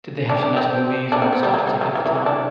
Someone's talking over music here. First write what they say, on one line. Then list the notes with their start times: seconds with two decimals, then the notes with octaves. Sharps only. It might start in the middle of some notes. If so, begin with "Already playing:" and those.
Did they have some nice movies and stuff to take up the time?
0.30 D4
0.43 D4
0.57 C4
1.12 D4
1.22 C4
1.33 B3
1.43 G3
1.54 F#3
1.67 G3
1.81 F#3
1.95 E3
2.06 E3
2.15 F#3
2.26 D4